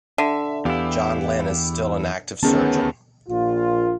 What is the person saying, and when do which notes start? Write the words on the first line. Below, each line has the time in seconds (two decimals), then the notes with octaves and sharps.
John Lynn is still an active surgeon.
0.18 D3 E5
0.65 E2 B3 E4 G4 F5
2.43 D2 D#3 B3 C#4 G#4 A5
3.29 A#1 A#2 F4